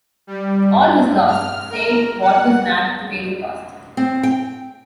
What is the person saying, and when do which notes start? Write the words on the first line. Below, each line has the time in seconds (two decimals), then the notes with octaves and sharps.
All was lost, save what was nabbed to pay the cost.
0.27 G3
0.73 G2
1.27 F6
1.70 A#4
2.21 F#5
3.97 C4
4.23 G5